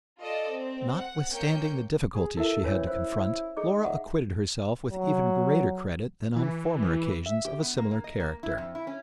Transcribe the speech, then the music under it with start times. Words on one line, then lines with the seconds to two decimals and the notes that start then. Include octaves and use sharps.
Notwithstanding the difficulties she had to confront, Laura acquitted herself with even greater credit than on former occasions of a similar character.
0.21 F4 A4 D5 D#5
0.50 C4
0.97 F#5
1.30 A#3 C#4 G5 G6 C#7
2.15 G#4
2.37 E4 A4 A#4 E5
2.64 E3 C#4 C#5 E6
2.87 E4 C5
3.57 D#4 G#4 D6
3.83 E5 F#5
4.93 F#3
6.36 E3
7.26 E5
7.45 G4
7.62 B3
7.78 A#3
7.91 A#3
8.04 D#5
8.20 A#3
8.43 E4
8.58 F2
8.75 E4
8.87 C#4